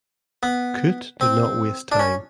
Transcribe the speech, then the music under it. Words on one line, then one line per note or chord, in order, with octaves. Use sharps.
Coote did not waste time.
B3
C4
D4
C#4